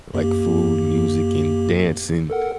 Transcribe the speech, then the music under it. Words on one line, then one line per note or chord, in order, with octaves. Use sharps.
like food, music, and dancing.
F#2 A#3 G4
A4 A#4 F#5